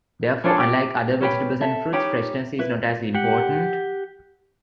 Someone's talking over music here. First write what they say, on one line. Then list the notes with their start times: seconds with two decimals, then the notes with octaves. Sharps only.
Therefore, unlike other vegetables and fruits, freshness is not as important.
0.44 C#4 D4 G#4 A4
0.60 G4
1.21 C#4 G4 B4 G5
1.61 A4 E5
1.93 C#4 D#4 G4 B5
2.59 E4 B4
3.15 G4 F#5